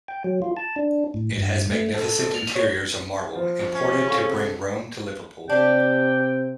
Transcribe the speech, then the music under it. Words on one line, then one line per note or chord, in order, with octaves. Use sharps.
It has magnificent interiors of marble, imported to bring Rome to Liverpool.
G5
F#3
F4
A5
D4
A2
G2
A3
A4
F6
C#5
F3
C#4
C3 G#4 A4 F5 C#6
C3 D4 G4 G5